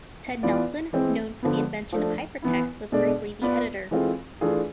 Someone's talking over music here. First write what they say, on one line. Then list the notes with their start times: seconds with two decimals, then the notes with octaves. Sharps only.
Ted Nelson, known for the invention of hypertext, was briefly the editor.
0.43 E3 B3 F4 B4 D5
0.93 E3 G#3 C4
1.43 D3 F3 B3
1.92 F3 A3 D4
2.42 E3 B3 E4
2.92 B2 G#3 D4 A4 D5
3.42 B3 F4 B4 D5
3.91 E3 G#3 C4 F4 A4
4.41 E3 A3 D4 F4 G#4